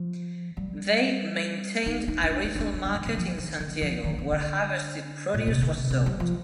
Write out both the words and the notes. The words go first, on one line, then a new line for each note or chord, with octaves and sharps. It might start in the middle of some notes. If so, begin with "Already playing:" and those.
They maintained a retail market in San Diego where harvested produce was sold.
Already playing: F3
G3
D#4
D#4
D#4
D4
D#4
D#4
D4
D4
G3
D#3
D3
F3
D#3
D3
F3
D#3
D3
D3
A#2
C3
D3
C3
C3
G3
F3